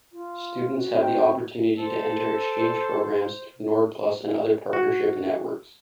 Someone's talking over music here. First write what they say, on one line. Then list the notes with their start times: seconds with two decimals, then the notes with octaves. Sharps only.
Students have the opportunity to enter exchange programmes through Nordplus and other partnership networks.
0.12 F4
0.76 F#4
0.95 C4 D#4 G5
1.78 A4 C5
4.73 F#4